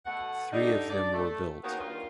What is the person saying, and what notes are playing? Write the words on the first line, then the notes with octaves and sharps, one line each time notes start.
Three of them were built.
B2 A3 F#5
D3 G3 A3 D4 D#4
D4 D5
A3
D#3 A#3 B3 C#4 F#4 G#4
G2 D#3 A#3 F4